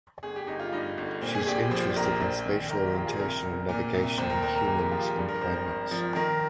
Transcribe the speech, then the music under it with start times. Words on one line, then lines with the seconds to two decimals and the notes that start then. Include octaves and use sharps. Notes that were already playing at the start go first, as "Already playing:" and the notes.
She is interested in spatial orientation and navigation in humans and primates.
0.23 G1 G#4
0.36 G4
0.47 G1 D#4
0.60 F4
0.72 G2 D#4
0.98 G1
1.21 A#2 C4
1.35 G#4
1.46 A#1 G4
1.71 F3 C5
1.96 A#1 A#4
2.20 A#1 C5
2.46 D#3
2.70 A#1 A#4
2.83 G4
2.94 A#1 F4
3.07 G#4
3.19 C2 A#4
3.43 C2
3.69 A#2
3.94 C2
4.18 D#2 C5
4.30 A#4
4.42 D#2 A#4
4.54 A#4
4.67 D#2 G#4
4.79 G4
4.91 F3 F4
5.04 G4
5.16 G2 G#4
5.28 A#4
5.41 G#1 C5
5.54 A#4
5.66 G#1
5.91 F3
6.15 D#3 A#4